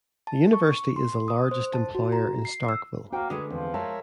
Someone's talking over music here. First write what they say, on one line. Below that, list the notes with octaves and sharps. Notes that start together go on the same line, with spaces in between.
The university is the largest employer in Starkville.
A5
C#6
C6
D#6
C5
A5
F#4
A#5
C7
E6
A#3 F#4 C5 G5
D3 G#3 A3 G#4 B4
E2 F3 C4
G#3 A#4 C#5 E5 A5